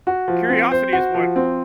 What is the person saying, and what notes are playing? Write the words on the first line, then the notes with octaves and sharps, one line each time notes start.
curiosity is what
F#4
F3
C4
C5
F#4
F3
C4